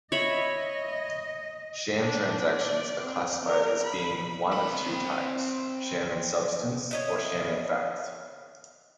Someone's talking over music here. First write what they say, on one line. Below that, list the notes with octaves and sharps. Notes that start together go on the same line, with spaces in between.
Sham transactions are classified as being one of two types, sham-in-substance, or sham-in-fact.
C#5 D#5 E5 B5
D4
D5
C4
A#4
B5
C4 B5
C#5 D#5 E5